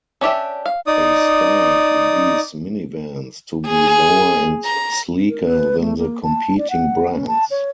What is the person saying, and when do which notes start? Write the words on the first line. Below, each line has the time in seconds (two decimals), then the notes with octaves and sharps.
They styled these minivans to be lower and sleeker than the competing brands.
0.21 C#4 D4 G4 E5
0.66 F5
0.87 D#4 D5 D#6
3.67 G#4
4.65 A#5
5.29 A#4
5.44 B4
5.80 A3
5.98 A#3
6.23 A5
6.58 D5
6.70 F#5
7.15 C#4
7.27 A5
7.51 C#5